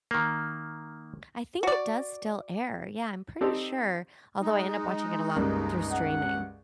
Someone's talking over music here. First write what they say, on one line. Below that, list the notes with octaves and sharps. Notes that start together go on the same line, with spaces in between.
I think it does still air, yeah, I'm pretty sure, although I end up watching it a lot through streaming.
D#3 A#3
F#4 D5
C4 D#4 G4 A4 C5 D5
G#3 D#4
C#2 G2 A#3
F#5